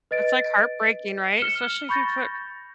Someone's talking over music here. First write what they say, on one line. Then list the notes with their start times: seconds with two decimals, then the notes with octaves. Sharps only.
It's like heartbreaking, right? Especially if you put
0.11 B4 D#5 A6 D7
1.39 F6 C#7 E7 G7
1.89 B5 C#6 G6 A6 A#6